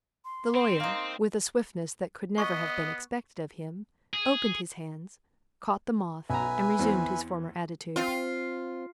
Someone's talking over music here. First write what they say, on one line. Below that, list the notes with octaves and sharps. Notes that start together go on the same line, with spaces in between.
The lawyer, with a swiftness that could never have been expected of him, opened his hands, caught the moth, and resumed his former attitude.
C6
C4
A#3 D#4
B3 D#5 C#6
G#4
B1 B4 E5 G#5 A#5
E2 E3 C4
C4 F4